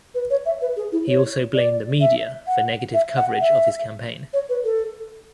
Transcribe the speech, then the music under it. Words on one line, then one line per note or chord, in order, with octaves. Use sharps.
He also blamed the media for negative coverage of his campaign.
B4
C#5
E5
B4
G#4
E4
C#5
D5
E5
F#5
E5
F#5
E5
C#5
B4
A4